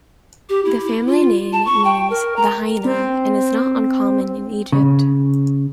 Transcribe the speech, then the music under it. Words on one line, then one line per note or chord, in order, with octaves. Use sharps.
The family name means "the hyena" and is not uncommon in Egypt.
G4
E4
E4
F4
A5
C#6
G5
A#4
A#5
C4
C#3